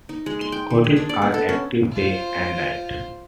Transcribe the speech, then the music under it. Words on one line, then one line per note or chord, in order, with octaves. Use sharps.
Coatis are active day and night.
D#4
G#3
C6
G5
D#3
G#4
D4
D5
B3
A4
C#4
F4 C5